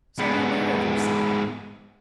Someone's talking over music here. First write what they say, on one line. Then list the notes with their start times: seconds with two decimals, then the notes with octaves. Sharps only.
So beware of yourself.
0.19 G#2 B3